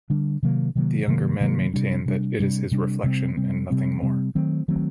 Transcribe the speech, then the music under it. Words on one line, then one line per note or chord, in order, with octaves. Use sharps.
The younger men maintain that it is his reflection and nothing more.
D3 G3 D4
C3 D#3 F#3 A#3
C3 D#3 F#3 A#3
C3 D#3 F#3 A#3
C3 D#3 F#3 A#3
C3 G3 D4
C3 G3 D4
C3 G3 D4
C3 G3 D4
C3 G3 C4
C3 G3 C4
C3 G3 C4
C3 G3 C4
D#3 F#3 A3 C4
D#3 F#3 A3 C4